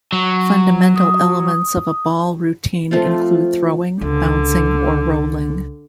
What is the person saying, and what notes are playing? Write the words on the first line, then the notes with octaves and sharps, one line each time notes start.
Fundamental elements of a ball routine include throwing, bouncing or rolling.
F#3
D#6
F3 A3 C4 F4
C#2 D3